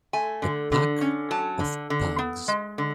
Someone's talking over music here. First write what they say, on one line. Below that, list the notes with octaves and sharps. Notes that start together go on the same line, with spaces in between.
A pack of Pugs.
A3 G#5
D3
D3
C#4
F#3 A5
D3
D3
B3
G#3
D3